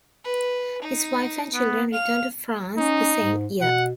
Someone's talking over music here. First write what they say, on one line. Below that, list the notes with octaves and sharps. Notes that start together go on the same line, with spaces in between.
His wife and children returned to France the same year.
B4
D#4
B3
F5 F7
C#4 D#4
G#2
B2 F#5